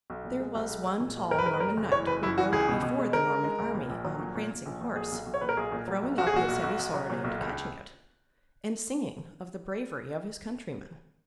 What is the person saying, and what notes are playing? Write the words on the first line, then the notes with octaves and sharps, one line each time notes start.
There was one tall Norman Knight who rode before the Norman army on a prancing horse, throwing up his heavy sword and catching it, and singing of the bravery of his countrymen.
B1
A#2
G#3
B1
G#3
G#3
A#2
B1
F#2 A#4
B4
G#3 A#4
B4
F#1 A#4
F#1
E3 C#5
F#1 B4
F#2 E4
E3 F#4
C#2 G#4
B2
B2
G#3
G#3 A#4
G#3
G#3
C#2
A#2
A#1
F#3
A#2
A#2
A#2
A#1
A#2
B1 G#4
B1
B1
C#5
A#2 B4
A#4
B1 G#4
A#2
F#3
B1
B1 F#4
G#4
A#2 F#4
B1
B1
B1
F#3
A#2
B1
C#2